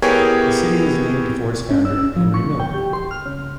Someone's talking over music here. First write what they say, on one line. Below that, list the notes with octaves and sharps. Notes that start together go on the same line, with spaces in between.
The city was named for its founder, Henry Miller.
B3 E4 G4 G#4 A#4 C#5
C#4
E6
F3
C#6
G5
G4
C6
F6
C#3